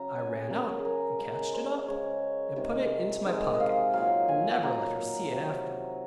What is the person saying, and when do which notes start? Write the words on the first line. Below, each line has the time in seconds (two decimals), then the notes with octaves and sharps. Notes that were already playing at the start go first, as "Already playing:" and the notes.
I ran out and catched it up, and put it into my pocket, and never let her see it afterward.
Already playing: C#3 F#3 A#5
0.16 G#5
0.50 C#3 F#3 A#4
0.79 G#4
0.85 A#4
1.19 C#3 G#3 A#4
1.53 C5
1.88 C#3 G#3 C#5
2.56 C3 D#3 G#3
3.25 C3 D#3 G#3 D#5
3.54 D#5
3.60 F5
3.94 A#2 F#3 F5
4.28 G#5
4.62 A#2 F#3 A#5
5.31 C3 F#3